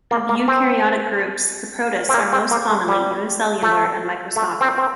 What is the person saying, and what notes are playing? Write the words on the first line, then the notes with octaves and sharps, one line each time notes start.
Of eukaryotic groups, the protists are most commonly unicellular and microscopic.
A#3
A#3
C4
C4
A#3
C4
A#3
A3
G3
A3
A3
C4
C4